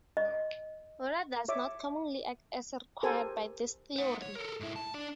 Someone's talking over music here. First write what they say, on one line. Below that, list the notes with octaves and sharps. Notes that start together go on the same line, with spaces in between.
Water does not commonly act as required by this theory.
D#5
C#5 E5 D6
G4 A4 A#4 C5 G#5
C5 F#5
C#5
A4 A#4
G#2 E4
A5
D4 D5